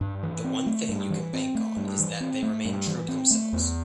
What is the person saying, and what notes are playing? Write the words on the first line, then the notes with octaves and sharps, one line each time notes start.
The one thing you can bank on is that they remain true to themselves.
G2
E3
C4
A3
G2
E3
C4
A3
G2
E3
C4
A3
G2
E3
C4
A3
E2